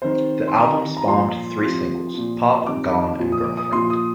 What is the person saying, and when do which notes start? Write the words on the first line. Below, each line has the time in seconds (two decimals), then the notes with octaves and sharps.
The album spawned three singles: "Pop", "Gone" and "Girlfriend".
0.02 C3 D#3 C5
0.47 C6
0.55 C3 D#3 A#5
0.97 A#5
1.08 A#2 F3 C6
1.61 C3 F3
2.14 A#2 F3
2.66 C3 D#3 D6
3.19 A#2 F3
3.32 D#6
3.44 D6
3.57 D#6
3.72 A#2 F3 C6
3.90 D#6